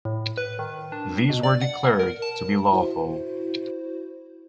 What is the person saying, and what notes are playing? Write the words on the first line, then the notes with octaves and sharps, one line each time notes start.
These were declared to be lawful.
A2
B4
D#3
D4
B2
D5
F#5
A#4
A5
E4 F#4 C5